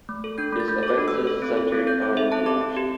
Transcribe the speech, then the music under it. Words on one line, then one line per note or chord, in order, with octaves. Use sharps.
His offenses centered on the option.
A3
A4
D4 G6
A3
A6
A3 G6
A4 D6
D4
E6
A3
A4
C4
A4
C4
A4 G6
C4 D6
A4 E5
C4 A5
G4 D6
C4
G4